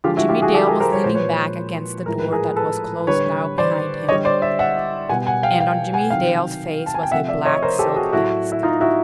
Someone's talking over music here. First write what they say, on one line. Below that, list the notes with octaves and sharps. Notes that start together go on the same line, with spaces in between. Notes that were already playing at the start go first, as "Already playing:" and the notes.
Jimmie Dale was leaning back against the door that was closed now behind him--and on Jimmie Dale's face was a black silk mask.
D3 F3 G#3 F4 G4
E4 F#4
F4 G4
F#4 G#4
G4 A4
G#4 A#4
A#4 C5
C#5
A#2 F3 G#3 C5
B4 C#5
A2 F3 G#3 A#4
B4
G#4 A#4
A4 B4
D3 G3 B4 C#5
C5 D5
D3 G3 C#5 D#5
C5 D5
D5 E5
E5 F#5
B2 G3 F#5 G#5
F#5 G#5
F5 G5
F5 G5
F#5 G#5
C3 D#3 F#3 F5 G5
A5
G#5
G5
C3 F3 A3 E5 F#5
D5 E5
C#5 D#5
A#4 C5
G4 A4
F#4 G#4
A2 F#3 A3 E4 F#4
E4
D#4 F4
E4 F#4